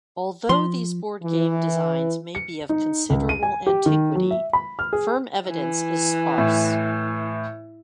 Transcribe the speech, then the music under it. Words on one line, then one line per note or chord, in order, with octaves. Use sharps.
Although these board game designs may be of considerable antiquity, firm evidence is sparse.
F3 C6
E3
C#7
D#4
C#2
D#7
G#5
G4
D#3
F#3
E5
B5
F6
G#4
E3
A2